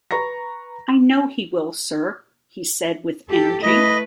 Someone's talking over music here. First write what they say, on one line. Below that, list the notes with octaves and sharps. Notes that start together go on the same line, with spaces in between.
'I know he will, Sir,’ he said, with energy.
B4 A#5 C#6 A#6
G4 A4
A3 E4 B4 D#5